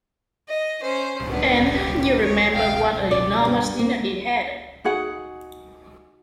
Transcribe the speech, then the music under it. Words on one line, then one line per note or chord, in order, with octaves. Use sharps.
And you remember what an enormous dinner he had.
D#5
C#4 C5
B3 D4
G4
C#5
F5 G5
D5
G2
A#3
D#4 F#4 G#4 F#5